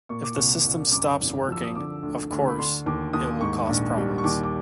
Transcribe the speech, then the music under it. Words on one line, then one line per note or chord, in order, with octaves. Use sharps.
If the system stops working, of course, it will cause problems.
A#2 C#6
D6
C2 C#6
C2
F#2 D6
G#1
F3 E6
D#6
D3 D6
D2
D2
B5
D3 C6
D#2 D6
D#2 D#6
G#2 C#6
A#1
G3
C#6
D#2 D6
D6